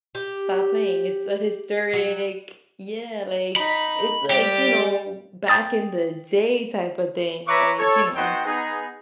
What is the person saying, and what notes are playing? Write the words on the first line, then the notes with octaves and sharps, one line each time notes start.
stop playing. It's a historic, yeah. Like, it's like, you know, back in the day type of thing, like, you know,
G4
F#3
D#4 B5
G3 G4
G5 D#6 A6
B4 C#5 E5 A#5 C#6 D6
A4 C#5
B3 D#4 F#4 C5 G5
B3 D#4 G#4